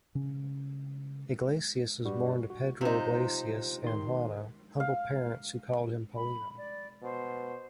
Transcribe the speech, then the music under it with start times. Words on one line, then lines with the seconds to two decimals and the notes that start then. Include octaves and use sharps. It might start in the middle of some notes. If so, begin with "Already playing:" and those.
Iglesias was born to Pedro Iglesias and Juana, humble parents who called him Paulino.
0.15 C#3 C#4
2.05 G2 G3 F#4
2.50 F#4
2.81 C3 D#4 F4 C5
3.84 D#3 C6
4.80 F5
6.15 B5
6.57 D5
7.02 B2 C5